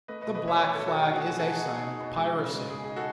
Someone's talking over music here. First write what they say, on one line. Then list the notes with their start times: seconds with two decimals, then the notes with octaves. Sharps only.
The black flag is a sign of piracy.
0.08 A3 B4 D#5
0.22 B4 D#5
0.27 B2
0.35 B4 D#5
0.44 A3 C#5 E5
0.61 D#4 C#5 E5
0.74 A4 C#5
0.79 B2
0.88 F#4 A4
0.96 B2 G#4
1.13 A3 F#4
1.27 B2 G#4
1.39 F#4 A4
1.48 D#4 G#4
1.66 D#4 G#4
1.84 D#4
2.01 B2
2.17 G#3
2.35 C#3
2.53 G#3
2.70 G#3 G#4
2.84 D#4 G#4
2.96 F#4 A4